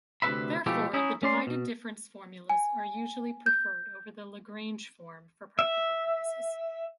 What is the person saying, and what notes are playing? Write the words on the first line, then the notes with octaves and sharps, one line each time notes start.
Therefore the divided-difference formulas are usually preferred over the Lagrange form for practical purposes.
D2 C3 C#4 B4 E5 B5
B2 F3 G#3 A3 E4 G4
C#4 D#4 E4 D#5
A3 C#4 D5 C6
B2
G#5
G6
E5